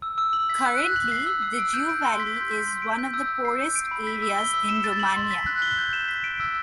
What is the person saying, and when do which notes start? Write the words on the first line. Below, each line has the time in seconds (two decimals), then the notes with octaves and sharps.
Currently, the Jiu Valley is one of the poorest areas in Romania.
0.02 E6
0.18 E6
0.33 F#7
0.49 B6
0.65 F#6
0.80 F#6
0.96 F#7
1.12 C7
1.26 E6
1.42 E6
1.58 D7
1.74 G6
1.89 D7
2.05 C6
2.20 B6
2.36 G6
2.51 C6
2.67 C6
2.82 D7
2.99 G6
3.14 E6
3.29 E6
3.45 C7
3.60 G6
3.76 D7
3.91 B5
4.07 B6
4.22 E6
4.38 G7
4.53 E6
4.69 E7
4.84 A6
4.99 F#7
5.16 C6
5.31 B6
5.46 F#6
5.62 G7
5.78 G6
5.93 E7
6.08 B6
6.24 D7
6.40 E6